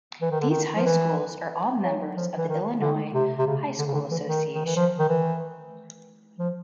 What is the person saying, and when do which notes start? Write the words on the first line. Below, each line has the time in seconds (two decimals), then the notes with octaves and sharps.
These high schools are all members of the Illinois High School Association.
0.21 E3
0.31 D#3
0.41 D3
0.50 D#3
0.76 F3
0.86 E3
1.84 F#3
2.16 F3
2.38 E3
2.49 D#3
2.81 D3
3.14 C3
3.38 C3
3.47 C#3
3.79 D3
3.86 C#3
3.94 D3
4.11 E3
4.28 D#3
4.55 D#3
4.65 E3
4.76 F3
4.99 D#3
5.09 E3
6.39 F3